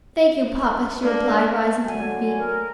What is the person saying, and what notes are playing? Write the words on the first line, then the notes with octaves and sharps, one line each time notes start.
"Thank you, papa," she replied, rising to her feet.
A#3 D4
D3 F#3 F#4 G#5
A#4